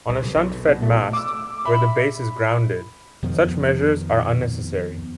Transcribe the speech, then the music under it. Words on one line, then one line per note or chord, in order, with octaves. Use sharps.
On a shunt-fed mast, where the base is grounded, such measures are unnecessary.
C2
B1
B1
B1
B2
A3
D6 E6
E5 B5
F2 B2 D#3 F3